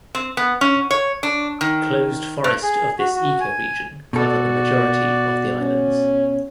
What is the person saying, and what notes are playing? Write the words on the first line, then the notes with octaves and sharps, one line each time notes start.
Closed forest of this ecoregion cover the majority of the islands.
C4
B3
C#4
C#5
D4
D#3
G2
G#4
F#4
F#4
G#5
B2 F#4 A4 D5
C#4